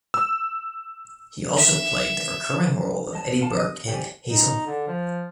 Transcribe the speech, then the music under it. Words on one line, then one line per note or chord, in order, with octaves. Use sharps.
He also played the recurring role of Eddy Burke in "Hazel".
E6
E5
D#5 A5
F4 A5
D#5
G4 C5 D5 G#5
D#4
D3
F3